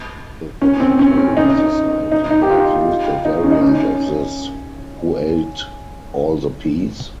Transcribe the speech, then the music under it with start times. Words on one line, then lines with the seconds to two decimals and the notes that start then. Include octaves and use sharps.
The Vegetarian Society have used a variant of this, Who ate all the peas?
0.62 C#4
0.80 C4
0.99 C#4
1.17 C#4
1.37 D#4
2.12 D#4
2.31 D#4
2.42 G4
2.50 F4
3.25 D#4
3.44 C#4
3.52 D#4
3.61 C#4